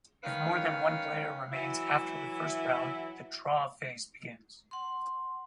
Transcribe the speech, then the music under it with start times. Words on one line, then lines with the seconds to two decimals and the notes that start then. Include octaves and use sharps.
If more than one player remains after the first round, the "draw" phase begins.
0.24 D#3 C#4 B4 C#5 F5
1.52 E3 F#3 E4
4.71 F#5 C6